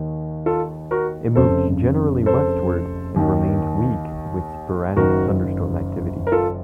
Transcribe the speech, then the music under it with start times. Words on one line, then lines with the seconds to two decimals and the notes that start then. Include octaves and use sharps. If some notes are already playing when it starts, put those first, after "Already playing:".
It moved generally westward, and remained weak with sporadic thunderstorm activity.
Already playing: D#2 D#3
0.46 F4 A4
0.91 F#4 A#4
1.36 F1 F2 C#3 A4 C5
2.26 A4 C5
3.16 D#2 D#3
4.96 F#1 F#2 D#3 F#4 A#4
6.27 A#4
6.32 F4 A4